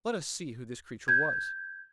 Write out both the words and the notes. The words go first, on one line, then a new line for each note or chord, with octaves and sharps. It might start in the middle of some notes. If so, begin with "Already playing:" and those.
Let us see who this creature was.
G6 G#6